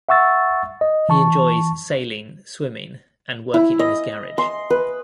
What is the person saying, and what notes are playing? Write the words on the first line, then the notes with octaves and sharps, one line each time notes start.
He enjoys sailing, swimming, and working in his garage.
E5 F#5 C#6 E6 A6
D#5
E3 A5 C#6
E4
D#5
C6
B4